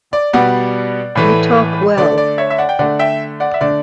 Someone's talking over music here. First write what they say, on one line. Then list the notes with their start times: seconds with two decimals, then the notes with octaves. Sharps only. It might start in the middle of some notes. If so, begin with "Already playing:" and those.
You talk well.
0.13 D5
0.33 B2 G3 B3 D5 F#5
1.15 A2 E3 A3
1.97 D3 A3 D5
2.18 D5
2.38 C#5 E5
2.50 E5
2.58 D5 F#5
2.69 G5
2.79 D3 A3 D5 F#5
2.99 E5 G5
3.40 D5 F#5
3.54 E5
3.61 D3 A3 D5